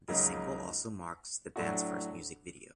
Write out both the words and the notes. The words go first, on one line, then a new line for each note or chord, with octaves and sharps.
This single also marks the band's first music video.
C#2 C#3 F#3 A#3 D#4
A2 F#3 A3 D4 F#4